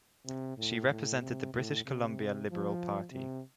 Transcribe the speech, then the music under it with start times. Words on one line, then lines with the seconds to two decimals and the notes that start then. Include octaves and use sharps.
She represented the British Columbia Liberal Party.
0.26 C3
0.58 A2
0.90 A2
1.22 C3
1.54 A2
1.86 C3
2.49 F3
3.12 C3